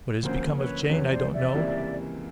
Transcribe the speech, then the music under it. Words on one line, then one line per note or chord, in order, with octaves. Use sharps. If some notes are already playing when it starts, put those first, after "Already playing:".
What has become of Jane I don't know.
D2 D3 F3 A#3 C#4 C5
B4 C#5
E2 C3 F3 B4 C#5
C#5
C5 D5
D5 E5
C#2 C3 E3 G3 A#3